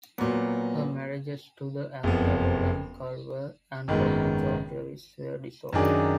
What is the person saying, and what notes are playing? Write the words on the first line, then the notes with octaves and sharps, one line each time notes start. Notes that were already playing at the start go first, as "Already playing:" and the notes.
Her marriages to the actor Roland Culver and Doctor John Janvrin were dissolved.
A#2 F#3 B3
F#1 F2 F3 B3
G#1 F#2 D#3 G#3 B3
F#2 D#3 F#3 D4 G#4